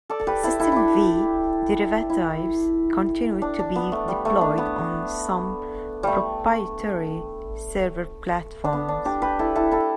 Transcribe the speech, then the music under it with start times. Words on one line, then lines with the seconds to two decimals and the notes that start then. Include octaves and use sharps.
System V derivatives continued to be deployed on some proprietary server platforms.
0.10 A4 D5
0.20 A4
0.27 G4 B4
0.43 E4 A4
0.60 E4 A4
0.72 D4 E4 G4
2.10 E4
3.42 D4
3.59 D4
3.75 B3
3.92 A3
4.08 G3
4.25 A3
4.41 D4
4.58 B3
6.03 G3 A3
8.65 D4
8.73 B3
8.88 D4
9.05 D4 G4
9.22 G4 B4
9.39 E4 A4
9.55 E4 A4
9.71 E4 A4